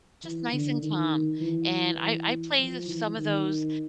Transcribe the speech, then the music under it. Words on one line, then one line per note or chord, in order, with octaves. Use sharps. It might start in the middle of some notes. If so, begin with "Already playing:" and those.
Just nice and calm, and I I play the some of those
E3
D3
D#3
E3
E3
F3
E3
D#3